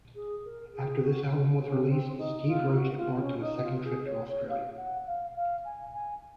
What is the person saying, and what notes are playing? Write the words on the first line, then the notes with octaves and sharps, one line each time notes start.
After this album was released, Steve Roach embarked on a second trip to Australia.
G#4
A#4
G#4
F#4
C#4
C#4
C4
D#4
F4
F#4
F4
C#4
D#4
F4
G#4
C#5
C#5
F5
F#5
F5
F5
G#5
G#5